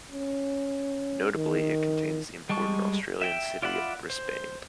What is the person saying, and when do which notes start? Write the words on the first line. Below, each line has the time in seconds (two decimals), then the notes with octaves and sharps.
Notably, it contains the important Australian city of Brisbane.
0.11 C#4
1.35 D#3
2.49 G3 G#3 A5 C#6
3.21 E5 G5
3.62 F4 D5 E5 F#5 B5
4.10 C5